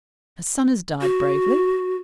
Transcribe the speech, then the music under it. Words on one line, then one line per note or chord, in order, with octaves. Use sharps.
Her son has died bravely.
F#4